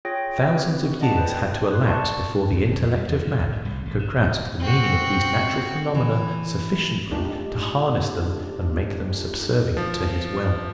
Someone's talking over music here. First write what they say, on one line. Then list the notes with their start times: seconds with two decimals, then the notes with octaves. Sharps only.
Thousands of years had to elapse before the intellect of man could grasp the meaning of these natural phenomena sufficiently to harness them and make them subservient to his will.
0.05 F4 G#4 C#5 G5 A#6
0.55 C4 F#4 B4
1.00 D5 D#5 F#5 A5
1.17 B4 C5 G5
1.71 C6 F#6
1.88 D5 A5 C#6
2.51 D2
2.65 D#1
2.79 F2
2.97 G3
3.09 E2
3.23 F#2
3.40 G#1
3.52 A2
3.65 C2
3.86 A1
3.99 G#2
4.16 G1
4.60 C4 F#4
5.95 E3
7.10 G#3 A3 D4 D#4 F4 G4
9.77 F3